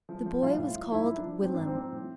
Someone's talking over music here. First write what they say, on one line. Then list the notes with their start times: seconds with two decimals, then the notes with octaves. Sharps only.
The boy was called Willem.
0.09 F3
0.26 F3
0.42 A2 F4
0.59 A2
0.75 F3
0.92 G#2 E4
1.09 F3
1.17 D4
1.25 F3
1.42 G#2 C4
1.54 G#2 D4
1.66 C4
1.75 F3
1.92 A2